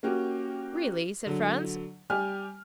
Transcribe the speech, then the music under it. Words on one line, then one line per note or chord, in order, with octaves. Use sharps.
"Really?" said Franz.
A#3 C#4 F#4 G4
D3 F#3
G3 G4 G#5 F6